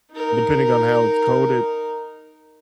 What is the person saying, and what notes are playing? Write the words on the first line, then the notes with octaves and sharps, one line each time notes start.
depending on how it's coded
D#4 A#4